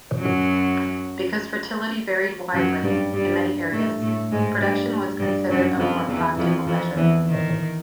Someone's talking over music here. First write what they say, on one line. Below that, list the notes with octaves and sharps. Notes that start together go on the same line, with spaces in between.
Because fertility varied widely, in many areas, production was considered a more practical measure.
F#2 F#3
F#2 F#3
G2 G3
G2 G3
A2 A3
A2 A3
G#2 G#3
G2 G3
G2 G3
F#2 F#3
F2 F3
E2 E3
F2 F3
F2 F3
E2 E3
D#3